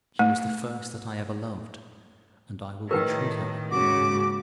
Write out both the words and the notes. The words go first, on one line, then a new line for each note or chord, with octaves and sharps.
"She was the first that I ever loved, and I will be true to her."
A3
A2 D#3 A#4 B4 G5
D#2 G#2 C#3 F#4 D6